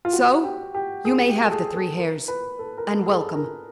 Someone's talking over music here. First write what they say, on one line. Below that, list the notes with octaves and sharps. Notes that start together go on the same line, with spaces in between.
So you may have the three hairs, and welcome.
F4
F#4
G4
G4
G#4
G#4
G4
A4
G#4
A4
A#4
B4
A4
A#4
A4
G#4
A4
A#4